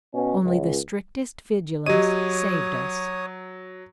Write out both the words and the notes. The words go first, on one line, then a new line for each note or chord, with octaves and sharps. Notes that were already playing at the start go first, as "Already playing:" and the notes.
Only the strictest vigilance saved us.
B2 C#4
C#2
F#3 G4 C#5 D#5 D#6 D#7